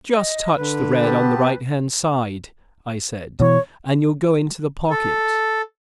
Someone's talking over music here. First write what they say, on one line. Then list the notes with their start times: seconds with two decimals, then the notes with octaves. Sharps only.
"Just touch the red on the right-hand side," I said, "and you'll go into the pocket."
0.14 D#5
0.57 D3 B4
1.02 B3 C4 G4 A5
3.40 B2 E3 C#5
4.90 A4